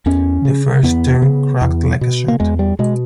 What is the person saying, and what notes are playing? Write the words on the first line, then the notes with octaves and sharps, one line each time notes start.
The first stair cracked like a shot.
E2 C#4
C#3
E2 B3
C#3
E2
B2
A#3
E2 G#3
G3
B2 G#3